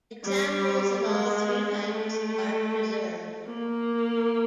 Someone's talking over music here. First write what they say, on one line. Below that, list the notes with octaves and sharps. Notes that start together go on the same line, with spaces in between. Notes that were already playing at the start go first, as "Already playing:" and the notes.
Examples of all three types are preserved.
G3
G#3
A3
A#3